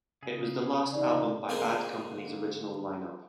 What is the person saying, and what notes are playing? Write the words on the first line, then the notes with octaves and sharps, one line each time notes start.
It was the last album by Bad Company's original line-up.
C#3 G#4
E2 C3 D#4 D5
D3 G#3 A#3 C4 G#4 A#4